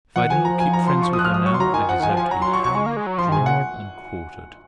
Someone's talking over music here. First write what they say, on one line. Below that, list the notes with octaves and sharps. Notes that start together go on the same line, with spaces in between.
If I do not keep friends with her now, I deserve to be hanged, drawn, and quartered.
F3 F#5
D#3
F3 G#5
A#5
G#5
A#5
C6
C#6
D#6
F#6
F6
D#6
F#3 C#6
C6
F#3 A#5
D#3 G#5
F3 F#5
D#3 G#5
F3
G#5
F#3 A#5
C6
C#6
C#6
G#3 C#6
A#3
G#3
F#3
F3 C6
D#3 G#5
C3
C#3 F#5